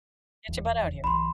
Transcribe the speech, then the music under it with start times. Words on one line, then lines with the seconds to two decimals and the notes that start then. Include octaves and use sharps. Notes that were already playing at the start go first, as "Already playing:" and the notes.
get your butt out here."
0.48 F1 E2
1.04 B1 E3 B5 C6